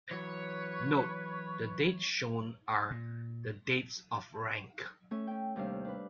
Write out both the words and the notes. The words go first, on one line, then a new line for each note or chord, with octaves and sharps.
Note - The dates shown are the dates of rank.
E3 F#3 B4 C#5
A#2
A3 C#4 C#5
C#4 G5
D#2 C3 G3 A3 D4 F5
D4 B4